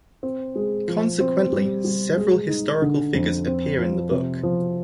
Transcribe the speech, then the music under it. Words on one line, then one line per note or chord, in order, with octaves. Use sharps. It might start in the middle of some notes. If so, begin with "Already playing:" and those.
Consequently, several historical figures appear in the book.
C4
G#3
F3
C4
G3
G3
G#3
D#4
D3
F2
C4
F3
C3
F3